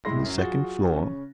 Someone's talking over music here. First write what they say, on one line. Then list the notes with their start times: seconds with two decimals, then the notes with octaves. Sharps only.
"On the second floor?"
0.05 A2 G3 G#3 E4 C6 A#6
0.24 F#2 F#3
0.38 F#3 F4 F#4 G#4 A6 G7
0.92 C#3 C#4